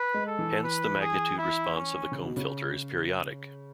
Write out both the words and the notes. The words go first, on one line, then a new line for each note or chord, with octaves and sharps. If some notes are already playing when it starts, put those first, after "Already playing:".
Hence the magnitude response of the comb filter is periodic.
Already playing: B4
G#3
A4
E3
B4
G#4
E4
C#4
C#3
B2
C#3